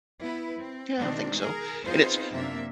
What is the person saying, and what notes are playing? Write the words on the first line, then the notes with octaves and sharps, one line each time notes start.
Yeah, I think so, and it's b
B3 E4 B4
C4
B2 D#3 G#3 C4 D4
G#4 A#4
B3 C4 D#4 F4 G#4 C5
F#2 C3 A#3 D4 E5